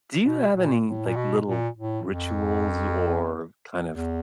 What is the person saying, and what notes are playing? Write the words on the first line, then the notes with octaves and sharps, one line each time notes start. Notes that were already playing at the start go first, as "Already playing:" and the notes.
Do you have any, like, little rituals or, kind of,
B2
A#2
A2
A#2
B2
A#2
A2
F2
E2